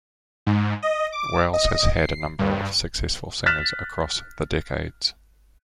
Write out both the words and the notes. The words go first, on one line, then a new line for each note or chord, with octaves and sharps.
Wales has had a number of successful singers across the decades.
G#2
D#5
D6
D#5
C7
G2
F6 F#6 A6 B6 E7